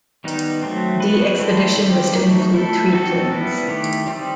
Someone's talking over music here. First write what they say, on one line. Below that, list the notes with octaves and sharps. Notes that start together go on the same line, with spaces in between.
The expedition was to include three planes.
D#3 G3 B3 D#4
F#3 A3 C4
B3 F#4 B4
A3 C4 E4 A4 C5
D#3 G3 C4 D#4 G4
F#3 A3 D#4
A3 E4 A4
C4 D#4 F#4 A4
G3 B3 E4
D#3 A3 E4 G4
G3 C4 D#4